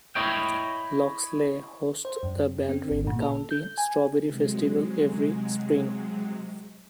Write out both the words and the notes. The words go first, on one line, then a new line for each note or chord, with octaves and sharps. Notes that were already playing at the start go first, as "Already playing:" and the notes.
Loxley hosts the Baldwin County Strawberry Festival every spring.
E4 C#5 D#5 G5
C5
F#2
C4
G#1
A#2
A4
G6
G#5
C3 F#3 G#3